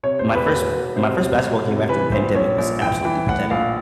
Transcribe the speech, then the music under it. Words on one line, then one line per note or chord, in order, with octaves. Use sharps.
my first my first basketball game after the pandemic was absolutely pathetic
C3 C#5
C5
E2
B4
E1
E1
C3 C5
E1
E1
C3
E3 B4
A#1 C5
A#1 C#5
A#1
E3 G5
E3
A2 F#5
A#1 F5